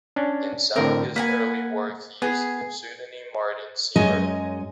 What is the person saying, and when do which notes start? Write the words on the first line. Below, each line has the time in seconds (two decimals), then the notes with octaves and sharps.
In some of his early work he used the pseudonym Martin Sievre.
0.16 C#4 D4
0.76 A2 D3 C4 A#4
1.16 A#3 B4 F#5 G#5
2.22 B3 G#4
3.96 F#2 G#3 C#5 D#5 G#5